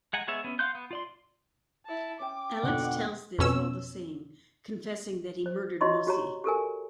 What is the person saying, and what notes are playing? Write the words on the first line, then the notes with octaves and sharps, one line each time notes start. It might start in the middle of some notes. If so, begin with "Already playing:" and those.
Alex tells this all the same confessing that he murdered Mosi.
G#3 F#5 G#5 A#5
G#3 B3 G#4 C#5 E5
B3 C#4
F5 F#5 C6 F#6 G6
B3
F4 D5 C6
E4 A5
C#4 G5 D6
F2 B2 D3 F#5
F2 B2 C#4 E6
C5
E4 F#4 C#5 D#5 C6 C#6
F#4 G4 C#5 A#5
G4 A4 A#4 G#5